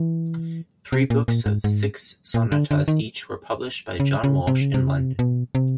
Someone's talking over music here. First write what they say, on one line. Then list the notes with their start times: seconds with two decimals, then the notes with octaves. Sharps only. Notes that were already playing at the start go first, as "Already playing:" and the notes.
Three books of six sonatas each were published by John Walsh in London.
Already playing: E3
0.92 C3
1.10 A#2
1.28 A#2
1.46 G#2
1.64 G#2
2.34 A#2
2.52 D3
2.71 D3
2.88 D#3
4.00 C#3
4.24 C#3
4.47 C3
4.61 C#3
4.74 C3
4.87 C#3
5.00 C3
5.19 B2
5.55 C3